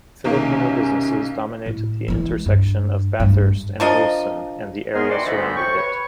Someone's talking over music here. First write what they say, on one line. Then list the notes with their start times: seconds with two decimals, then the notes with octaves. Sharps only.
Filipino businesses dominate the intersection of Bathurst and Wilson and the area surrounding it.
0.24 B1 C3 D#3 A#3 C#4
1.66 A2
2.08 E3 G#3
2.46 G2
3.20 G2 A3
3.80 F3 D4 A#4 D#5
4.94 F#2 D#3 B3 G#4 A#4 C6
5.09 E3 G3 D#4 F#4 D5 C6
5.26 D2 G#2 D3 G#3 A3 B3
5.55 A2 G4 C5 G5 C#6
5.74 B4 C#5